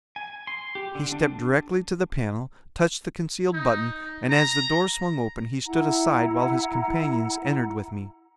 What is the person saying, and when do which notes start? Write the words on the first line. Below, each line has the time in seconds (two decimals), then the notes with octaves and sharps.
He stepped directly to the panel, touched the concealed button, and as the door swung open he stood aside while his companions entered with me.
0.16 G#5
0.47 C6
0.75 G4
0.95 D3
1.12 D4
3.53 D#4
4.30 A#5
5.66 E4 F#5 A#5